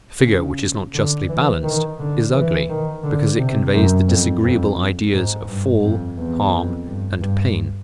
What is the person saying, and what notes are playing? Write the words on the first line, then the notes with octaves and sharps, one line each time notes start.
A figure, which is not justly balanced, is ugly; because it conveys the disagreeable ideas of fall, harm, and pain.
C#3
D3
E3
D#3
D3
E3
D#3
D3
C3
F#2
F2
F2
G#2
G2
F2
E2
F2
G2
G2